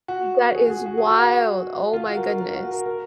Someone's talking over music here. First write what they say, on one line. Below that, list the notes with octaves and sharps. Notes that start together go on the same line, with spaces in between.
That is wild! Oh my goodness.
F#4
G#4
F#4
G#4
F#4
G#4
F#4
F4
F#4
A#4
A#4
A#4
F#4
A#4
A#4